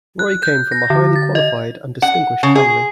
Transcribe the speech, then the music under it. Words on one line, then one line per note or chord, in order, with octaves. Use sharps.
Roy came from a highly qualified and distinguished family.
F#6
G6
A#6
D3
A6
D#5
F#5
C#3
G#4